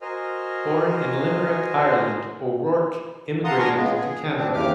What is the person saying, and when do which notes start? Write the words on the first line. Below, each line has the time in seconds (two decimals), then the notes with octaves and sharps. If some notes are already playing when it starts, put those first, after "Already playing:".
Born in Limerick, Ireland, O'Rourke immigrated to Canada.
0.02 F#4 A#4 C5 D#5 G#5 F6
3.44 F5 F#5 A5 A#5 C6 D#6
3.58 D4 A#4 G#5 A#5 C6 C#6
3.74 A#2 C#3 G#3 B3
3.93 G#4
4.37 C4 D4
4.54 D#2 C#3 E3 G4 D6 F6